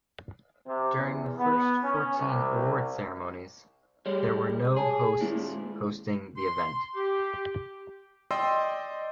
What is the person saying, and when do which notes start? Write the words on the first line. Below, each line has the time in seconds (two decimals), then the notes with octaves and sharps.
During the first fourteen award ceremonies, there were no hosts hosting the event.
0.66 C3
0.96 E2
1.37 B3
1.84 C#4
2.18 C2
4.06 G3 G#3 C#5
4.77 G#4 C#5 A5
5.21 A#2 D#3 G#3 A#3 E4
6.36 C6
6.95 G4
8.31 D5 D#5 G5 C6 E6